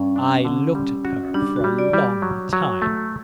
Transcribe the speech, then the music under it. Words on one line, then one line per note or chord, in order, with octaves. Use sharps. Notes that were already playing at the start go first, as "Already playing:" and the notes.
I looked at her for a long time.
Already playing: G2 C#4
D4
D3
G3
F#4
G3 D4
F#4
G3
D5
G3
F#3
F#3
A3